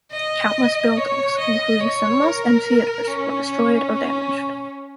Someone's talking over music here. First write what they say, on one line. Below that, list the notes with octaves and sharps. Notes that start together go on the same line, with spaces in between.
Countless buildings including cinemas and theaters were destroyed or damaged.
D#5
C#5
D#5
C#5
A#4
C#4
C#4